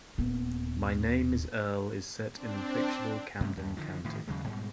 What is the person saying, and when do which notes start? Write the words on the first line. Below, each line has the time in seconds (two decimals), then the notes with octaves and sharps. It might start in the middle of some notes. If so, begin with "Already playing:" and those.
"My Name Is Earl" is set in fictional Camden County.
0.18 D#1 B3
2.33 C4 D4
3.40 G2 C3 A3 C#4
3.57 D#2 G3
3.77 D3 D#3 F3
4.04 A2 D#3 F3
4.27 D#2 C#3 F#3 G#3
4.46 G#2 B2 G3 G#3